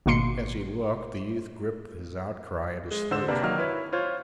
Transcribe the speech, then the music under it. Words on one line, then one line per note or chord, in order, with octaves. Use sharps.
As he looked the youth gripped his outcry at his throat.
G#1 B2 A#3 C6 C7 C#7
G#3
D3 C5 E6 E7
C3 A#3 D4 B4
D#3 F#3 A#3 D#5 F6
E4 B4 C#5
F4 C5 C#5